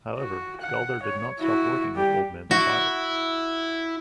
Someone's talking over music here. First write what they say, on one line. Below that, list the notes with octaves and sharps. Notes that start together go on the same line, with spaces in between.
However, Galder did not stop working with Old Man's Child.
F#4
F#5
C#5
E4 F#4
G3 G4
E4 F#4